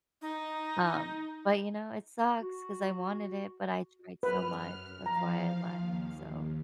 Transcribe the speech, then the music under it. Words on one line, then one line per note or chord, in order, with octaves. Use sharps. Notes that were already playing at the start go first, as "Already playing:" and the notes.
Um, but, you know, it sucks 'cause I wanted it, but I tried so much. That's why I left, so
D#4
F#4
F#2 B4 F6
F3 F5 A#5
D#2